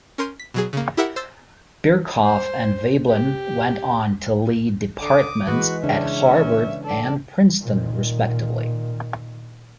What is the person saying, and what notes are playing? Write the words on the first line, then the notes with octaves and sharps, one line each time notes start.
Birkhoff and Veblen went on to lead departments at Harvard and Princeton, respectively.
C#4 A#4 C6 G6 D#7
B6
B2 F#3 G#4
C#3 A#3
E4 G4 A#4 E5 F#5
C5 E6 A6
C5
G4
D3 D6 D#6
E3 G#3 F#4 B4
C#3 C#4 D4 E5
A4 D5
A#2 D#3